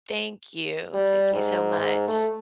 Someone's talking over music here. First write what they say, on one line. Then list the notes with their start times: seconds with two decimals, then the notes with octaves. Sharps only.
Thank you. Thank you so much.
0.94 G3
1.33 G#2
1.79 G#2
2.08 A3